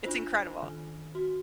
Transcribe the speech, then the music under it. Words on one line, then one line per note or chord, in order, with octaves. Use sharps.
It's incredible.
D4 F4 C5
D#3
F#4